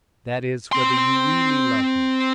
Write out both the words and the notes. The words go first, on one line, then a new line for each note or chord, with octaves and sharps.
"That is, whether you really love me?"
C4 C6